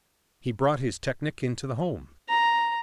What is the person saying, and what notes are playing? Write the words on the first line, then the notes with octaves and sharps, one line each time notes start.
He brought his technic into the home.
A#5